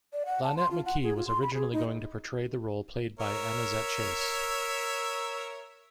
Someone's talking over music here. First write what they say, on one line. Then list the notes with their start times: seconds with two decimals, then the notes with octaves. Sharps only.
Lonette McKee was originally going to portray the role played by Annazette Chase.
0.13 D5
0.26 F#5
0.43 A5
0.57 C6
0.71 F4
0.86 F#5
1.04 G#4
1.16 F4
1.27 C6
1.42 B5
1.54 G#4
1.73 D#4
3.19 A#4 C#5 E5